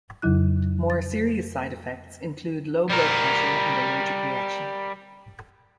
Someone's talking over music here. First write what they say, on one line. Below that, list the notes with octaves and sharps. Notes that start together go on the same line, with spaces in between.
More serious side effects include low blood pressure and allergic reaction.
F2 C#3 F#3 E4 F#6
A6
G3 A#4